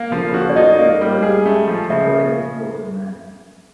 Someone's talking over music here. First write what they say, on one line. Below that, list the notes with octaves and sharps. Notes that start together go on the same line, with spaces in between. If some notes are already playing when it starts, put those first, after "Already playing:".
Gina works at a diner, "workin' for her man".
Already playing: A#3
F3
F#4
D5
D#4 D#5
A#3
G3
G#4
A3
F3
C#3 E5